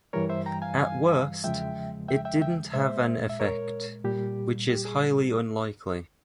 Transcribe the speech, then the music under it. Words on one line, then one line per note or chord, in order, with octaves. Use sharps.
At worst, it didn't have an effect, which is highly unlikely.
G2 E3 G3 A#4 C#5
C5 E5
G5 A#5
F5 G#5
F5 G#5
E2 C#3 F3 G#3 E5 G5
E5 G5
E5 G5
E5 G5
A#2 G#3 C5 E5
E5
A#4 C#5
A#2 G3 G4
G4
G#4